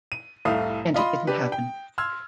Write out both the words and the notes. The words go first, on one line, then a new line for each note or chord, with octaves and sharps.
And it didn't happen.
D#7
F1 C2 A2 A3 F5 D#6
F4 D#5 B5 C6
D4 G4 B4
G5
C6 E6 F6 G#6